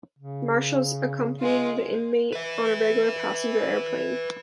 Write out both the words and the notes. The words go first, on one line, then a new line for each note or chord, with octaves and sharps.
Marshals, accompanying the inmate on a regular passenger airplane.
C#3
G#3 F4
B4 E5